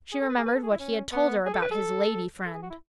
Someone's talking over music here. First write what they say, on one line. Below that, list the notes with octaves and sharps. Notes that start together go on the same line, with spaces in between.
She remembered what he had told her about his lady friend.
G#4
A4
B4
G#4
B4
A4
G#4
E4
C#4
B3
G#4
A4
B4
A4
A4
G#4
F#4
E4